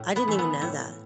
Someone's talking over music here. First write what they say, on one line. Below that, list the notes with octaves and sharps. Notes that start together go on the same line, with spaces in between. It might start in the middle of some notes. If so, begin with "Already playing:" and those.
I didn't even know that.
Already playing: A2
B3
E3 A3
B3
A2